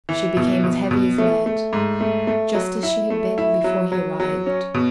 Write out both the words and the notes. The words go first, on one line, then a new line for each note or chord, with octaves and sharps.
She became as heavy as lead--just as she had been before he arrived.
E3
B2
B2
B2
A3
A3
G#2
A3
A3
F#3
E4
A3
E4
F#3
F#3
F#3
C#4
B2